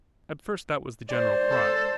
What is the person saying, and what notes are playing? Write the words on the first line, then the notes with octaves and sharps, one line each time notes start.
At first that was the general cry.
G#3 C5 D5
A4